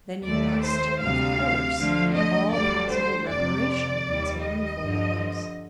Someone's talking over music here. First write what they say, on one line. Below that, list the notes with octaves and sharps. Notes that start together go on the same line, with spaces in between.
"Then you must of course make all possible reparation," answered Wingfold at once.
D#2 D#3 A3 D5
C5
D2 C3 G3 F5
D2 D3 F3 A3
D#5
D2 D3 G3 D5
C5
F2 C3 F3 D5
D#2 D#3 G3
D#5
G2 D3 F3